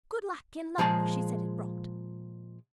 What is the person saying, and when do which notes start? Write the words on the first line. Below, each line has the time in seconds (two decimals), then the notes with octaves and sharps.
Good luck in love she said it brought.
0.78 A#2 F3 G#3 G#4 A5